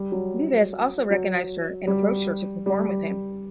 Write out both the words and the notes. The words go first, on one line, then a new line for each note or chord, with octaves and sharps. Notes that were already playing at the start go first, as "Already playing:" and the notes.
Vives also recognized her and approached her to perform with him.
Already playing: G3
F#3
F#3
G3
G3